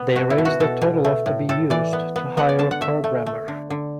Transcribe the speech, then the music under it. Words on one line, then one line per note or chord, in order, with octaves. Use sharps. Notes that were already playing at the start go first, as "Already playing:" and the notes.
They raised a total of to be used to hire a programmer.
Already playing: B3
B2 F#4
E4
B2
F#4
B2 A4
B2
A3
A2
A2 A4
E3 D5
B3
B3
B3 F#5
D5
D3 A5
F#5
A3 E5
A3
A3
D3
D3